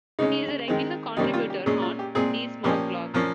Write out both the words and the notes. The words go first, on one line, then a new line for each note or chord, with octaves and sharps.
He is a regular contributor on DeSmogBlog.
C#3 G#3 C#4 D#4
D#3 G#3 C4
C3 D#3 G3 A#3 C#4 D#4
F4
G4
A#2 G#3 C#4 G#4
F4
G4
A#2 G#3 C4 G#4
A#2 F3 A#3 C#4 G4
A#2 F3 A#3 C#4